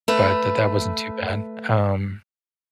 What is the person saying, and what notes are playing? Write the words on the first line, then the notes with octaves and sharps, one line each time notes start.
but that that wasn't too bad, um,
A3 B4